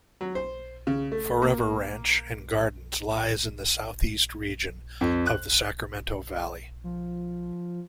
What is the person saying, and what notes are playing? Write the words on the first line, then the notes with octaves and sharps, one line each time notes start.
Forever Ranch and Gardens lies in the southeast region of the Sacramento Valley.
F#3
C5
C#3
A3
A#3
F2
F#6
F3